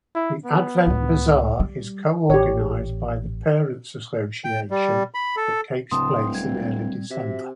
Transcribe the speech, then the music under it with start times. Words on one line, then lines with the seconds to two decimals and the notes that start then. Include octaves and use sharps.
The Adventsbasar is co-organised by the Parents' Association that takes place in early December.
0.15 E4
0.45 B3
0.87 C#2 A2
1.60 G3
2.30 A1 G4 C#5
4.44 G5
4.71 G3
5.14 B5
5.37 A4
5.91 D1 A2 C#3 A5 C6 D#6
6.35 G3 C4 G#6
7.11 C3 F#4 E5